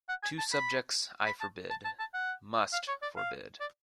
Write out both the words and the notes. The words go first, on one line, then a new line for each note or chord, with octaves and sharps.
Two subjects I forbid — must forbid.
F#5
G#5
A5
B5
B5
A5
A5
A5
A5
F#5
F5
C#5
D5
F5
D5